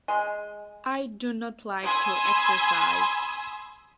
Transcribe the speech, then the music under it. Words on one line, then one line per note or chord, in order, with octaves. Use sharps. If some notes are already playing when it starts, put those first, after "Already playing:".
I do not like to exercise.
G#3
G#5 B5 C6 D#6 E6 G#6